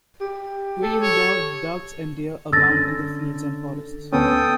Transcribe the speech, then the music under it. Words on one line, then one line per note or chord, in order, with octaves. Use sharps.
Quail, dove, ducks, and deer abound in the fields and forests.
G4
A4
C#5
D3 C#4 E6 A6 A#6
D2 B3 C#4 A4 G5 D#6